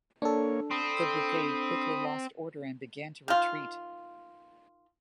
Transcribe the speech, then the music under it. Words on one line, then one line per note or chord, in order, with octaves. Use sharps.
The brigade quickly lost order and began to retreat.
A#3 D4 A4 C#5
C4 B5 D#6
D#3 F4